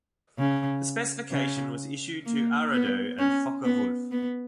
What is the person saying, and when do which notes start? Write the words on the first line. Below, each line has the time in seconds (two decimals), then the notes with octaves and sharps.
The specification was issued to Arado and Focke-Wulf.
0.38 C#3
1.31 C#3
2.26 A#3
2.72 B3
3.19 C#4
3.64 B3
4.11 B3